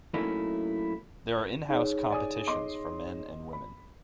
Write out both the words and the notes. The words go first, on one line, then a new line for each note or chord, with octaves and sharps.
There are in-house competitions for men and women.
F#3 A3 A#3 C#4 D#4 E4
D#4 G#4 C#5
D5 G#5 D#6
D#5 C6 D6
B5